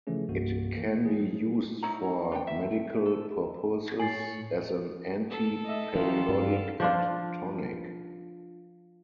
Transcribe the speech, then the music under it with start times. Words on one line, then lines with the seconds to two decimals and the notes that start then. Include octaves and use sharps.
It can be used for medical purposes as an anti-periodic and tonic.
0.07 C#3 E3 F3 A3 C#4 G#4
0.29 C2 G2 A#3 F#4
0.75 E3 A#3
1.05 G#4
1.20 F#3
1.83 D#4 E4 C#5 A#5
2.32 D4 G5
2.47 E5
3.05 A4
3.99 A2 C#5 G#5 A6 C7 F#7
5.30 A4
5.65 D#5 E5
5.95 E3 F#3 F4 G4 A#4
6.29 G2 F5
6.80 F3 D4 F4